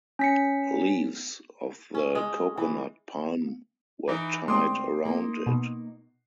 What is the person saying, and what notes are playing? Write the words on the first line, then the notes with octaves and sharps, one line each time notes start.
Leaves of the coconut palm were tied around it.
C#4 B6 C#7
C#4
G#3
E3
E3 D#4 E4
D2 G#3 C4 G5 C6 D6 D#6
A#3 D#4
B2